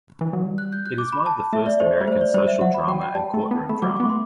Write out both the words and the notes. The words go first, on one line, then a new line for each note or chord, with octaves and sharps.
It is one of the first American social drama and Courtroom drama.
E3
F#3
G3
F#6
G6
F#6
D6
B5
A5
A3 E5
D5
A3 C5
G3
A3 C5
D5
G3 C5
E5
F#3 F#5
B5
F#3 G5
G5
G3 A5
A3
A5
B3
A3 B5
F#3 G3 D6
B3 D6
A3 C6